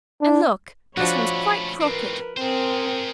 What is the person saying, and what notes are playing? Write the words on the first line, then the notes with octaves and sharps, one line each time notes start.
And look, this one is quite crooked!
D4
F3 A3 C#4 D4 F#4 C#5 B5
A2 C4 A#4 B4
C4 G#4 A#4 C5